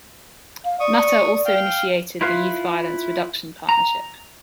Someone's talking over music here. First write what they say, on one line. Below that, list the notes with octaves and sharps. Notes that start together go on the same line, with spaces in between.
Nutter also initiated the Youth Violence Reduction Partnership.
F5
D5 C#6 D#6
F5 G5
E4 F4 B4 F5
A#5